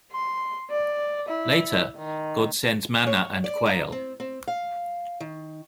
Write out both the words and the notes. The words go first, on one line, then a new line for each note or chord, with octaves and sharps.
Later God sends manna and quail.
C6
D5
E4
D#3
C#5
D5
D#4
C4
C4
F5
D#3